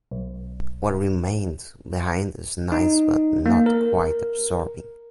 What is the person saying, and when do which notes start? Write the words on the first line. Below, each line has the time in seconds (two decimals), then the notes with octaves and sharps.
What remained behind is nice but not quite absorbing.
0.11 B1
2.72 D#4
3.46 A#3
3.66 A#4